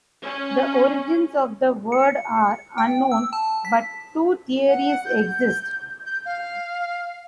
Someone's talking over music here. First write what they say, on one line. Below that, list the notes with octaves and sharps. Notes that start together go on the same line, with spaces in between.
The origins of the word are unknown but two theories exist.
C#4
C#7
G5
E6
A5
B6
F#5
G6
G6
F5